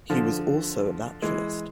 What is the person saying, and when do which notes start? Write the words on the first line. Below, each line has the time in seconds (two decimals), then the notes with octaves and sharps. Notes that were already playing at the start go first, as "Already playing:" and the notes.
He was also a naturalist.
0.10 D3 F3
1.22 E3 G#3